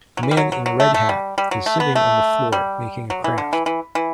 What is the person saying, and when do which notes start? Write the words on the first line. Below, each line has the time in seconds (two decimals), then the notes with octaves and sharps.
A man in a red hat is sitting on the floor making a craft.
0.17 F#3
0.23 E3
0.31 G3
0.37 F#3
0.52 F#3
0.66 F#3
0.80 A3
0.94 A3
1.09 G3
1.38 G3
1.51 F#3
1.66 A3
1.80 B3
1.95 A3
2.52 G3
3.10 F#3
3.24 E3
3.38 D3
3.53 E3
3.66 E3
3.95 E3